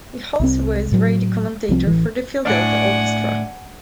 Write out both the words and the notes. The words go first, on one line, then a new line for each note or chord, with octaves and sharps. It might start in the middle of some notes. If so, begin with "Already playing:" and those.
He was also a radio commentator for the Philadelphia Orchestra.
C2 C3 C4
A2 F#3
C2 F3 C4
A1 E3
A2 D4 D5 F#5 G#5